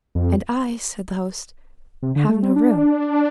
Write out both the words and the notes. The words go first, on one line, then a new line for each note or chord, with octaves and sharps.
"And I," said the host, "have no room."
F2
C3
D3
A3
C4
D4